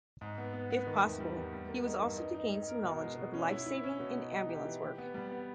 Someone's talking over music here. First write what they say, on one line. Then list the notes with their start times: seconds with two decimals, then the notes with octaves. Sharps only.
If possible, he was also to gain some knowledge of "life-saving and ambulance work".
0.21 G#2
0.38 B3
0.53 B3
0.70 B3
0.87 D#3
1.04 E2
1.20 G3
1.37 E2
1.53 G3
1.69 A#3
1.86 D#4
2.02 G2
2.18 D#4
2.34 D#4
2.51 D#4
2.68 A#4
2.84 B2
3.01 G#3
3.18 B2
3.34 C#4
3.50 E4
3.66 E4
3.83 C#4
4.00 B2
4.16 D#4
4.32 D#4
4.49 G4
4.65 E3
4.82 G4
4.98 B3
5.14 G3
5.32 B3